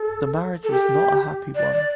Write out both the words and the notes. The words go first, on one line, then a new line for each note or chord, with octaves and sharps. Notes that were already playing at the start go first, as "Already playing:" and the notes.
The marriage was not a happy one.
Already playing: A4
A4
G4
D5
D5